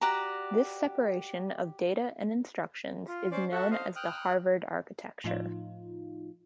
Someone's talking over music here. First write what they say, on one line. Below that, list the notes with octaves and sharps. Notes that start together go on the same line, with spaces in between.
This separation of data and instructions is known as the Harvard architecture.
F#4 G4 D5 A#5
F4
C#4 C5 D5
F#4 A4 E5 F#5
C5 D#5 F5
G5 D#6 F6 F#6
A2 F3 D#4 F4